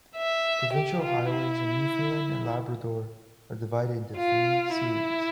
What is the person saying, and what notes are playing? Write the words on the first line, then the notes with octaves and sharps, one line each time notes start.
Provincial highways in Newfoundland and Labrador are divided into three series.
E5
G4
F4
E4
F4
E4